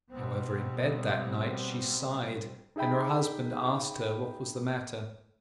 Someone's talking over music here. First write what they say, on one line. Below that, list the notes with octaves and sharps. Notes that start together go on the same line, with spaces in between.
However, in bed that night she sighed, and her husband asked her what was the matter.
B2 G3 B3 C4
D#4 G#4 E5 G5 B5